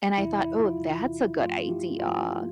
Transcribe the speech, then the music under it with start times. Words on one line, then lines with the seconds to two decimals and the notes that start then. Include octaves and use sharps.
and I thought, "Oh, that's a good idea."
0.18 E2 C3 E3 E4
0.38 E4
0.59 F4
0.78 E2 C3 E3
1.39 G2 F3 A3 F4
1.69 E4 G4
1.99 G2 F3 A3 F4